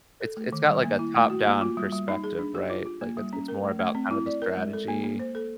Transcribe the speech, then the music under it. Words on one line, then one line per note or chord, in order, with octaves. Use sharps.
It's it's got, like, a top-down perspective, right? Like, it's it's more about kind of the strategy
A4
A3
D#3
G3
A#3
E4
A3
F#4
A#3
F4
G3
G3
D#4
G#4
D4
G4
F4
F4
A#3
G3
C#4
A#4
A3
A3
C4
E4
D5
A#4
G#3
A4
A#3
A#3
C5
A4